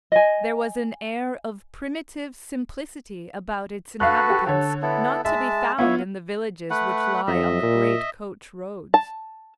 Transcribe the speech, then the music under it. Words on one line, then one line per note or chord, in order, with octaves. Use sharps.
There was an air of primitive simplicity about its inhabitants not to be found in the villages which lie on the great coach-roads.
D#5 G#5
F#4 A4 B4 F5 F#6
G4
D3 A4 C#5
B3 E4 A4
G#3 E5 A5
B3 E4 F4 C#5 E5
A3 B4 F#5
F2 D#5 E5
A#2
A5